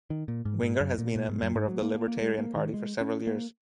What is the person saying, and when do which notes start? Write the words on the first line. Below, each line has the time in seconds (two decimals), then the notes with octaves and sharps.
Winger has been a member of the Libertarian Party for several years.
0.10 D#3
0.28 A#2
0.45 G#2
0.63 G#2
0.80 F#2
0.98 A#2
1.16 A#2
1.29 G#2
1.42 F#2
1.55 G#2
1.68 F#3
1.82 A#3
1.95 A#3
2.08 A#3
2.21 G#3
2.38 A#3
2.56 D#3
2.74 G#3
3.01 C#4
3.27 A#3